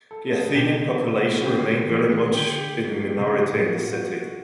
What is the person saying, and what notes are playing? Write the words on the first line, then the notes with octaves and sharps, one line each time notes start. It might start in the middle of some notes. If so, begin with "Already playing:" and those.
The Athenian population remained very much in the minority in the city.
A4
G#4
B2 G4
F#4
C#3 G4
D3
E3 G#4
D#3 G#4
D3 G4
G4
C3
C#3 G#4
G#4
A2
F#4
F4
F#4